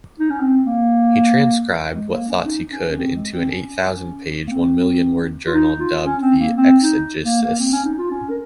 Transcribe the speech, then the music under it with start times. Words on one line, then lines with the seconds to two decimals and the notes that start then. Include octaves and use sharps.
He transcribed what thoughts he could into an eight-thousand-page, one-million-word journal dubbed the "Exegesis".
0.20 D#4
0.30 C#4
0.40 C4
0.66 A#3
1.94 G#3
2.12 A#3
2.29 C#4
2.45 D#4
2.72 C#4
2.97 C4
3.14 G#3
3.32 C4
3.48 C#4
4.47 A#3
4.51 C4
5.47 F4
5.54 D#4
5.80 F4
6.05 C#4
6.22 C4
6.40 A#3
6.57 C4
6.82 D#4
7.25 A#3
7.42 A#3
7.59 C4
7.72 C#4
7.85 D#4
7.98 F4
8.11 C#4
8.30 A#4